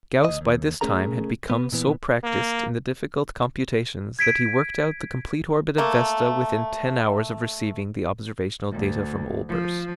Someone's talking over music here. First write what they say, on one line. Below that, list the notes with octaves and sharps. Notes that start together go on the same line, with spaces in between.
Gauss by this time had become so practised in the difficult computations that he worked out the complete orbit of Vesta within ten hours of receiving the observational data from Olbers.
D2 D#5
D#2
A3 C#4 G#4 A#4 A#5
B3
A#2 E3 B3
A#3
G#6 B6 D7
A3 A#3
D2
F3